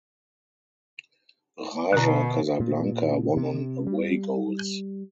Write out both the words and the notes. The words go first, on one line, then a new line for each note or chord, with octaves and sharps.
Raja Casablanca won on away goals.
B2 D3 A#5
A#2
C3
G3